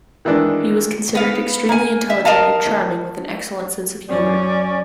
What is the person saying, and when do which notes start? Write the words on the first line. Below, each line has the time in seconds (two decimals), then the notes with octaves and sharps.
He was considered extremely intelligent and charming with an excellent sense of humor.
0.25 D#3 E3 G#3 D4
1.15 B3 F5
1.69 A#3 G#5
2.10 E5
2.25 A#4 D#5 F5 A5
4.08 F#2 C#4 D5